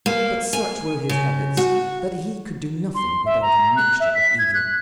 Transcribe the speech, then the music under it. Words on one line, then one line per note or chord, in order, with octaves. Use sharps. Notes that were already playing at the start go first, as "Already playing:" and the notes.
But such were his habits that he could do nothing without a mixture of evil.
A#3
G#5
C#3
F#4
C6
E5
A#5
F#6
E5
B6
G#6
F#6